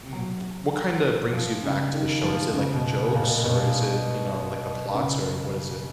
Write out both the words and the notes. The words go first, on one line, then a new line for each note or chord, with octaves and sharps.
m w what kinda brings you back to the show? Is it like the jokes or is it, you know, like the plots or what is it?
F#3
F3
C#3
D#3
F3
C#3
B2
A#2
B2
C#3